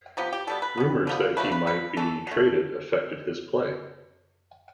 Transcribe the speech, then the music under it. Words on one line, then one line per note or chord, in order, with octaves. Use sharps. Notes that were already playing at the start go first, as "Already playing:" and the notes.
Rumors that he might be traded affected his play.
C3 F3 B3 G4
G4
B2 G3 B3 A4
B4
B2 B3
D3 F3 B3
D3 F3 A3 B4
B4
C3 F3 B4
E3 A3 A4
B2 A3